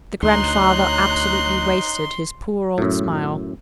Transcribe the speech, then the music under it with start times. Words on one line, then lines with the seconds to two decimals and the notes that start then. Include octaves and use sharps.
The grandfather absolutely wasted his poor old smile.
0.23 D2 D#4 C#5 A#5 C6 F#6
2.78 F#2 A2